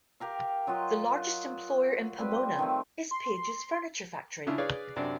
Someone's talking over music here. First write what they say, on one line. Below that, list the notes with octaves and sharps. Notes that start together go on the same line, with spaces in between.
The largest employer in Pomona is Pages Furniture Factory.
G4 A#4 F5
F#3 F4 F#4 D#5
G3 C4 B4
D#3 A3 C4
C6
C#3 D4 E4 F4
G#4 B4 C#5 D5 F5
F#2 C3 D4 D5